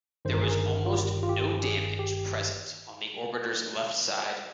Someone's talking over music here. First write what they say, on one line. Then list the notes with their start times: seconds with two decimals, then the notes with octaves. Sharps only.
There was almost no damage present on the orbiter's left side.
0.25 G1 G2 D#3 C5
0.33 A#4
0.43 G#4
0.51 A#4
0.86 F4
0.94 G4
1.23 F4
1.29 G4
1.64 G#4
1.99 G4